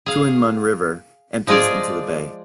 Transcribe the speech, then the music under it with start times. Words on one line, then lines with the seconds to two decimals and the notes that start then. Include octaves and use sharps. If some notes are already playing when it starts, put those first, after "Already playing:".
Tuen Mun River empties into the bay.
0.06 G#4 F5
1.47 F3 G#3 F4 G#4 D5